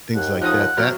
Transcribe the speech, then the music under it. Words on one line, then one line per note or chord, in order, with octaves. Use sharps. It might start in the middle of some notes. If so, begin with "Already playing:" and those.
things like that, that
D#2 F#5
F3 D#4 F#5 D#6
G#1 F#3 F6